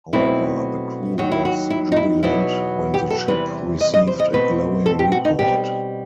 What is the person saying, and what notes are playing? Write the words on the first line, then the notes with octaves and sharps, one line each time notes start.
However, the crew was jubilant when the ship received a glowing report.
B2 F#3 A3 C4 E4
D#2 D#3 F#3 F#4
E4
F#4
E4
D#4
E4
E2 B2 F#3 B3 E4
G4
A4
E2 C3 E3 G3 B4
D#5
D#5
C5
D#5
B2 A3 C4 B4
A4
G4
F#4
D#4
B2 G3 C4 G4